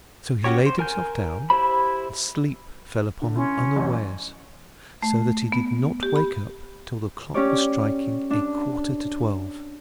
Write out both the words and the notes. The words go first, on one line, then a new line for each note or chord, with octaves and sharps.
So he laid himself down, and sleep fell upon him unawares, so that he did not wake up till the clock was striking a quarter to twelve.
C#4 F#4 G4 C#5
C5
A#4 G#5 G6
E4 G4 C5 B5
D3
C#4 E4 C6
A1 F#2
A3
B3
G4
B5
C#4 G4 C#5 D5
D4